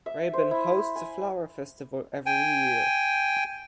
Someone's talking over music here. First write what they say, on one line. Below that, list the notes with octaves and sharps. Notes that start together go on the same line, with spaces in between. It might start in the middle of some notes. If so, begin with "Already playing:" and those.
Rebun hosts a flower festival every year.
E5
C5
E4
G#5
G5 G#5